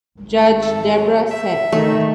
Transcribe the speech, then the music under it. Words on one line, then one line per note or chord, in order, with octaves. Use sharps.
Judge Debra sent me.
G#1
A4
F#3
E5
D#3 A3